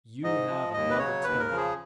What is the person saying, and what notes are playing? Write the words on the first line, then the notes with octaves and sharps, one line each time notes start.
"You have another turn."
G#2 D#5
F3
D#2 D#5
B4
C#3 F#3 C#5
D#2 B4
A#4
C#3 F3
G#4